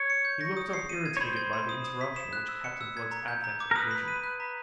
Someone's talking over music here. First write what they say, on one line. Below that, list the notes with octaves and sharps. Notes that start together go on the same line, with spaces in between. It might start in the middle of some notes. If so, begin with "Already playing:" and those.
He looked up irritated by the interruption which Captain Blood's advent occasioned.
Already playing: C#5
C#7
G6
A#6
D#6
C7
D#7
G#6
C#5
C5 B5
G#6
B5
D#6
D#6
B6
E7
F#6
E6
C#7
E6
G#6
A#5
G6
A#5
D6
A#4
B4 D#6
B6
D#7
F#6
A#5